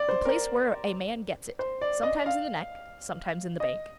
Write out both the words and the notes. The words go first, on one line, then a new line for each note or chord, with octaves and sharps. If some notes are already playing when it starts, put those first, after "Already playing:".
The place where a man gets it--sometimes in the neck, sometimes in the bank.
Already playing: D5
C5
A#4
C5
D5
D#5
F5
D#5